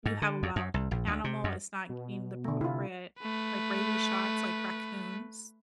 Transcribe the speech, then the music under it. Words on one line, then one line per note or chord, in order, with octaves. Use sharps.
you have a wild animal, it's not getting the appropriate, like rabies shots, like raccoons
G#2
D3
F2
F#2
C2
A#1
D2
C3
F#2
B2
D3 A3
C3 E4 F4
A3 B4